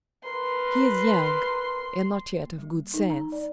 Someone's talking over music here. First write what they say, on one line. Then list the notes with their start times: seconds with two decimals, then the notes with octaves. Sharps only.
He is young and not yet of good sense.
0.24 A#4 B4 C6
2.46 A#3
2.58 G3
2.94 D#4
3.10 A#5
3.32 D5